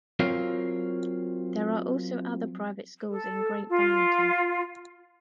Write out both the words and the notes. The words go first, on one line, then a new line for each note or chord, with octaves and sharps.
There are also other private schools in Great Barrington.
F#3 C4 F4 A#4 C#5 F5
A4
F4